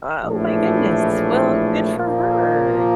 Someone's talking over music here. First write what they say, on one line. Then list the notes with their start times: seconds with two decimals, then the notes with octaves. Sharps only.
Oh my goodness, well, good for her.
0.22 A#1 A2 E3 A3
1.94 A#2 F3 A#3